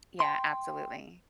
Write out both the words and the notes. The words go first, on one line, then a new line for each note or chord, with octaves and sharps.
Yeah, absolutely.
G5 C6